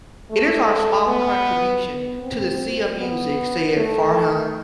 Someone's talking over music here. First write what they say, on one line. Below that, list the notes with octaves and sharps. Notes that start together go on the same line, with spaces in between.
It is our small contribution to the sea of music, said Farhan.
A3
B3
B3
C4
B3
A3